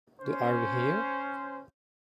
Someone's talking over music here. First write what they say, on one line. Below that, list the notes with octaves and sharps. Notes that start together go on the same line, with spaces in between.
The Are We Here?
C#4 C5